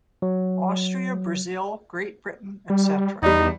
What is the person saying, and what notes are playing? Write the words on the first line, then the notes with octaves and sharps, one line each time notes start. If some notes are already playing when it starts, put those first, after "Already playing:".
Austria, Brazil, Great Britain, etc.
F#3
G3
E2 G3 D#4 D5